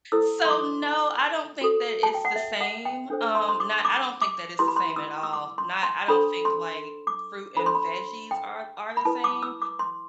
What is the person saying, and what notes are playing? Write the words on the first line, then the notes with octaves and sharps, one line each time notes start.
So, no, I don't think that it's the same, um, not I don't think that it's the same at all. Not I don't think, like, fruit and veggies are are the same,
E4 A4 C5 E6
C6
D6
F#4 A4 C5
A5
G5
F#5
E5
F#5
G5
D4 A4 C5
C6
C6
D6
D6
D6
E4 G4 B4 C6
B5
C6
E6
E6
D6
C6
C6
D4 A4 C5 B5
C6
D6
D4 A4 C5 B5
C6
B5
G5
B5
E4 B4 A5
D6
E6
D6
C6